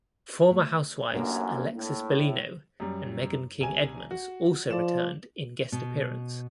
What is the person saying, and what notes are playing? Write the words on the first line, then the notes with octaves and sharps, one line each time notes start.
Former housewives Alexis Bellino and Meghan King Edmonds also returned in guest appearance.
A3
A1 F#2 A#3 D4
A2
F#2 G3
C2 G#5
F#4
F3 D5 E7
B2